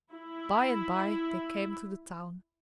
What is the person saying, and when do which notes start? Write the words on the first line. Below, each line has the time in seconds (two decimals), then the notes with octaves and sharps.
By and by they came to the town.
0.13 E4